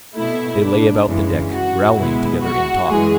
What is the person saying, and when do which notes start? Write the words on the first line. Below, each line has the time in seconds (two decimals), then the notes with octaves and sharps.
They lay about the deck growling together in talk.
0.15 B2 A3 E4
0.61 D4
1.06 F#2 C#3 E3 G#3
1.51 F#4
1.96 B2 G#3 B3 E4
2.42 F#4
2.86 F#2 E3 G#3 G#4